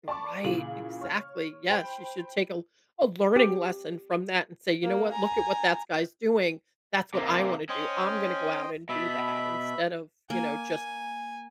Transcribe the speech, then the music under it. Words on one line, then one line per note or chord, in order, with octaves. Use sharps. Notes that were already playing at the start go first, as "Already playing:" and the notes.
Right, exactly, yes. You should take a a learning lesson from that and say, "You know what? Look at what thats guy's doing. That's what I wanna do. I'm gonna go out and do that," instead of, you know, just
D5 A5 B5 C#6 D6
A#2 C#3 E3 F#7
C#5 F6
C5 G5 B5
G4
A#3
G#5 A#5
C3 A#3
C#4 C5 D#5 G5
B2 E5 B5
A#3 G#5